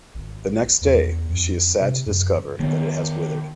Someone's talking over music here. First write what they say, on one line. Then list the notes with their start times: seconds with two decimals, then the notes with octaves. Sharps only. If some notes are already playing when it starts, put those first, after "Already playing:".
The next day, she is sad to discover that it has withered.
0.14 G#1
0.81 E2
1.29 F2
1.80 C3
2.06 F#2
2.59 D#3 B3